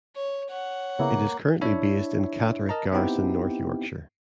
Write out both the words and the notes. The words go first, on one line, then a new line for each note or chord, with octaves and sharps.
It is currently based in Catterick Garrison North Yorkshire.
C#5
C#5 F#5
C#3 A#3 B3 E4
D4 E4 C#5 E5
A#4 D#5 A5 A#5
B3 C4 D#4 E4 G4 G5